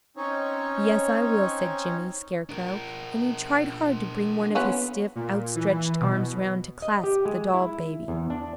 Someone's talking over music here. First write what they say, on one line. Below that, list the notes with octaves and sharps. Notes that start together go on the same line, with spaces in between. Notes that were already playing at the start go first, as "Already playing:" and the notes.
"Yes, I will," said Jimmy Scarecrow, and he tried hard to bring one of his stiff, outstretched arms around to clasp the doll-baby.
C4 C#4 D#4 C#5
D4 A#4
B3 C#4 F4
A#2
E3
B2
D#5
G4
G#3
E4
E2
D4